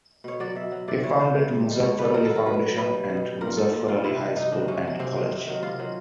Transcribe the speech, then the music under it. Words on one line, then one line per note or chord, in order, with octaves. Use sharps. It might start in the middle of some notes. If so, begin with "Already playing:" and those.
He founded Muzaffar Ali Foundation and Muzaffar Ali High School and College.
B2 C#5
F#3 D5
B2 E5
F#3
C3 D5
E3 G3 C#5
C3 C5
E3 G3
G#2
D#3 G3
G#2 C#5
D#3 G3 B4
B2 A#4
F#3 A4
A#4
B2 B4
F#3
B2 B4
G3
B2
G3
A#2 A#4
G3 A4
A#2
G3 F4
C3 E4
D#3 F#3
C3 D#4
D#3 F#3 D4
C3 C#4
D#3 F#3
C3 C4
D#3 F#3
C3
D#3 F#3
C3 F4
D#3 F#3